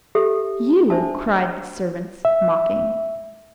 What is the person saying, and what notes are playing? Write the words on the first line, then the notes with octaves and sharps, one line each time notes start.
"You!" cried the servants mocking.
G4 A4 E5
D4 C5 E5 A5
E5